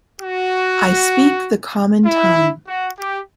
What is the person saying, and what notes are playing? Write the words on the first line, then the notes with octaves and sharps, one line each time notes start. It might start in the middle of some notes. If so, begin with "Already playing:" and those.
I speak the common tongue.
F#4
E4
F#4
G4